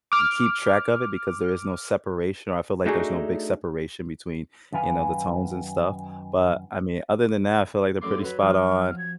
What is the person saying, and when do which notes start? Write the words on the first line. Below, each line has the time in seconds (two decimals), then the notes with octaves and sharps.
k keep track of it, because there is no separation, or I feel like there's no big separation between, you know, the tones and stuff, but, I mean, other than that, I feel like they're pretty spot on.
0.12 D6 F6
2.86 A3 D4 D#4 F#4 G#4
4.72 F#2 D#3 B4 F5 G#5
8.02 F#2 A3 C6 D6
8.24 F#3 B4
8.42 F3 C4 F#4 F6
8.98 G#6